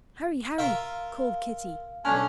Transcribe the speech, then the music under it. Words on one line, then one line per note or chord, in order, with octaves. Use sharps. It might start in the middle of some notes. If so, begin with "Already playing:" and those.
"Hurry, hurry!" called Kitty.
F4 A#4 E5 F5
B1 A2 C#4 D4 G#5 F6